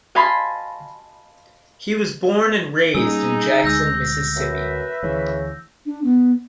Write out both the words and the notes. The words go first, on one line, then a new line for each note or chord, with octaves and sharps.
He was born and raised in Jackson, Mississippi.
D#5 F5 G#5 A5 B5 C6
G3 A#3 C#4 D#4 G#4 E6
D2 G#3 E6 G6 A#6
F#2 B4 E5
D2 C#3 E3
D4
B3